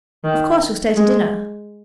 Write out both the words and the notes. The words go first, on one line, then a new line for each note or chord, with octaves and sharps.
"Of course you'll stay to dinner?"
D#3
G#3